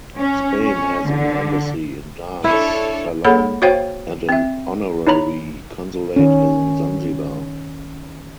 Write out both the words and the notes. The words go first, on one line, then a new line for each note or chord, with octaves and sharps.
Spain has an embassy in Dar es Salaam and an honorary consulate in Zanzibar.
C#4
C#4
D3
D4 E4 A4 C#5 E5
A#3 G#4 A4 C#5 F#5 B5
F#4 C5 C#5 F5 G5
C4 E5
D#4 E4 C#5 A#5 B5
D#3 C#4